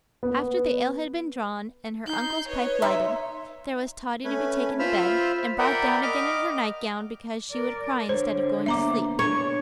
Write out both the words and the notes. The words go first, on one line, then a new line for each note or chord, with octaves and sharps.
After the ale had been drawn and her uncle's pipe lighted, there was Totty to be taken to bed, and brought down again in her night-gown because she would cry instead of going to sleep.
B3
D#4 G6 C7
B4 C#5 D#5
D#4 E5 A#5 C6
A3 C#4 B4 G#5
F4 C5 E5 B5 E6 F6
A#4 D5 E5 F#5 G5 B5
D#5 D6 F6
A#4 D5
D3 C5 C#5
A#3 B3 E5 A#5 D6
D4 C#5